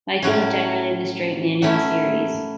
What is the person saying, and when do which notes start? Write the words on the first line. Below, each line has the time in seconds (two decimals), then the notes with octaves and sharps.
Michael is generally the straight man in the series.
0.22 A2 F#3 C#4
1.62 F#3 A3 C#4 E4